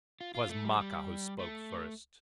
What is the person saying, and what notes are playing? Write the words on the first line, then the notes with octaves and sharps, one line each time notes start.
'Twas Maka who spoke first.
F4
F4
A3
G3
G3
A3